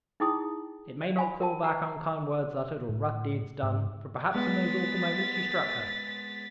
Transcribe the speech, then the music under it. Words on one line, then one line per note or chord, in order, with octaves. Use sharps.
It may not call back unkind words uttered or rough deeds done--for perhaps in those awful moments you struck her!
D#4 E4 G#4 G5 D#6
D5
F5 G#5 B5
A#4 G5 A5
B4 F#5 A#5
A2
G#2
G#3 B3 A6 B6